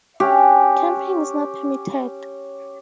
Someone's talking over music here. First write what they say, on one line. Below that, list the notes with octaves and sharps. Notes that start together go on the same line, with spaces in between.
Camping is not permitted.
C#4 G4 C#5 F#5